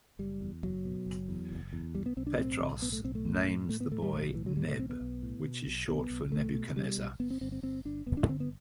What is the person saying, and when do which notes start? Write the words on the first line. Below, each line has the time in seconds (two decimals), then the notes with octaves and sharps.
Petros names the boy Neb, which is short for Nebuchadnezzar.
0.19 F#1 G3
0.41 E2
0.64 F#1 F#3
0.85 B2
1.06 F#1
1.29 E2
1.50 F#1
1.73 E2
1.95 B1 G3
2.06 B3
2.17 B1 C4
2.27 D4
2.38 A2 C4
2.60 B1
2.81 A2 B3
2.92 A3
3.04 B1 C4
3.15 A3
3.26 A2
3.48 A2
3.69 A2 A3
3.80 B3
3.92 A2 A3
4.02 G3
4.13 B1 A3
4.34 A2 E3
4.46 F#3
4.56 A2 G3
4.68 A3
4.79 B1 C4
4.90 B3
5.01 B1
5.22 A2
5.44 B2
5.67 B1
5.88 B1 B3
6.10 B1
6.32 B1 A3
6.53 B2
6.76 B2 G3
6.97 B1
7.20 G1 B3
7.30 C4
7.41 G1 C4
7.52 C4
7.63 G1 C4
7.85 G1 D4
8.06 G1 B3
8.17 D4
8.29 D3 C4
8.40 B3